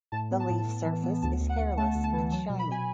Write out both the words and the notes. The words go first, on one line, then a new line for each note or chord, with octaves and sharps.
The leaf surface is hairless and shiny.
A2 A5
B3
A5
A2
A2
E3
B3
D2 A5
D2
F#5
D2
A3 A5
D2
A5
E3
F#3 A5
B2
B5
B2 G#5